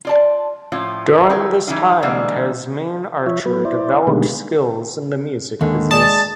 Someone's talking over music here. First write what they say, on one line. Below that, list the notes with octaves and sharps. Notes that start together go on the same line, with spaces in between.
During this time, Tasmin Archer developed skills in the music business.
F4 D5 A5
A2 F3 C#4 F4
E4 G4 G#4 A#4 B4
E3 G3 C#4 D#4 F4
D3 E3 G3 G#3 A#3 B3
F3 C#5 E5
F#3 B3 B4
E4 C5 D5
B2 D3 D#3 G3 G#3 A#3
D#2 D3 D#3 G#3
G#3 G#4 D5 A5 D#6